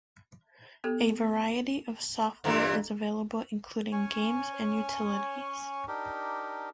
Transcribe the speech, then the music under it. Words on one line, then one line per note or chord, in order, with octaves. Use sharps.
A variety of software is available including games and utilities.
B3 G4 A4
G2 A#2 E3 A4 A#5
C#4 C#5 G#5 C#6
D4 D#4 G4 A#4